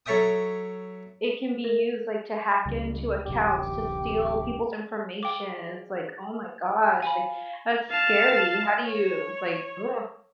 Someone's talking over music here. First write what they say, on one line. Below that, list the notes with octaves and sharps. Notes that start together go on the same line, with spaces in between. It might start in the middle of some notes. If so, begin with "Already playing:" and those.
it can be used, like, to hack into accounts, to steal people's information, it's like, "Oh my gosh," like, "that's scary, how do you," like "Uh."
F#3 A4 C#5 E5 G5 D#6
A#4
C#2 C#3 G3
D1 A1 C3 G4
G#3 D5 F5 G5 D6
F4 C5 F5 G#5 B5
F5 A5
C#5